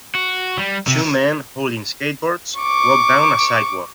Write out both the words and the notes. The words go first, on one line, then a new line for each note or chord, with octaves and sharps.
Two men holding skateboards walk down a sidewalk.
F#4
G3
C3
C#6 D6